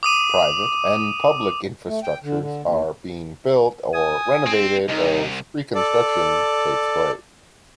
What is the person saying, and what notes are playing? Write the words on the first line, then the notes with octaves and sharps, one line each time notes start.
Private and public infrastructures are being built or renovated as reconstruction takes place.
D6 D#6 D#7
A3
G5
D3
D3
D#2
G#5 D#6
C4
C2 D#4
A4 D5